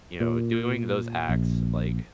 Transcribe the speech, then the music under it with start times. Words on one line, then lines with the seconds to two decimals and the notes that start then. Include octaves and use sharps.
you know, doing those acts, like
0.20 A#2
1.29 A#1